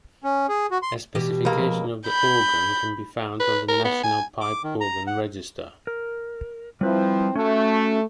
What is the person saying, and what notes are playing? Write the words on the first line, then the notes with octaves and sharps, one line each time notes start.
A specification of the organ can be found on the National Pipe Organ Register.
C#4
G#4
F#4
C6
B2 E3 G4
C#2 A#3
F3
B5 G6
B4
A#4
B3
G#5
D6
D#3
A#5
F#5
A#4
F3 G3 C4 E4 B4
A3 C#4 F#4